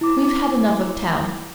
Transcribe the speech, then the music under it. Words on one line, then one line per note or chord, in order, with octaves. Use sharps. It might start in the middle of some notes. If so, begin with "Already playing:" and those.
We've had enough of town.
E4 D6